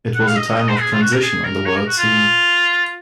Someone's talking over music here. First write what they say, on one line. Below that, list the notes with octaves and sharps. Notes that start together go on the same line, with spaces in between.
It was a time of transition on the world scene.
F#5
F5
D#5
D#5
D#5
C5
G#4
F4
F#4
A#4
G#4
A#4
C#5
A#4
F#4
F4